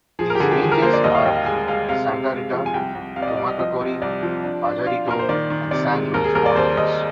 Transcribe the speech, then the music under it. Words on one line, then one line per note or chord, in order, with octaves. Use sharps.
These ranges are the Santa Rita, Tumacacori, Pajarito, and San Luis Mountains.
F3 G#4
A#4
G4
D3 G#4
G4
F3 G#4
A#4
A#3 C5
D5
D#2 D#5
F5
D#2 G5
F5
G#3 G#5
G#3 F5
C3 F5
C3
G#3
F3
G#5
C2 G5
C2
C3 F5
D5
D#5
C2 D5
D#5
F3 D#5
C3
C2 D5
F3
D4
D4
F4 F5
A#2 A#4
C5
D#3 D5
D#3
C3 D5
G#3
D#2 A#4
G#4
D#2 A#4
D5
D#2 C5
D#2 D#5